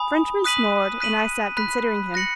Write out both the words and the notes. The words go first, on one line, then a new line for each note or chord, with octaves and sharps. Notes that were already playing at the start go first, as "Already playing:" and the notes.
The Frenchman snored, and I sat considering him.
Already playing: G#5 B5 D#6
D#6 F#6 B6 D#7 F#7
F#6 B6 D#7 F#7
B5 F#6 B6
F#6 A#6 C#7 F#7